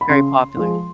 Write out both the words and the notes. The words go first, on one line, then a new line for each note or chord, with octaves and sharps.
very popular.
B5
C#3 C6
F3 G#3